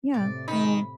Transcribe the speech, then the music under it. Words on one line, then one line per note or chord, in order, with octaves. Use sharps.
yeah, well,
A2 C3 D5
D#3 D#4 B5